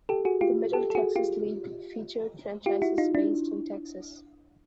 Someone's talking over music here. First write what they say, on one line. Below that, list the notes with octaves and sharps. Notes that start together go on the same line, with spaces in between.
The Middle Texas League featured franchises based in Texas.
G4 A4
F#4 G#4
F4 G4
G4 A4
A4
F#4 G#4
F4 G4
F4 G4
E4 F#4
D#4 F4
D4 E4